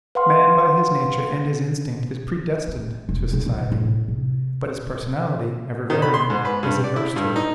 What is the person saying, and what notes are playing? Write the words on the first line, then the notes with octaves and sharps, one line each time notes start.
Man, by his nature and his instinct, is predestined to society; but his personality, ever varying, is adverse to it.
B4 F5 F#5 C6 F6
B3
E1
C#3
A#2
A2
C3
D#3
B5
C6
G#2
B4
G2
D5
E4
G2
D#4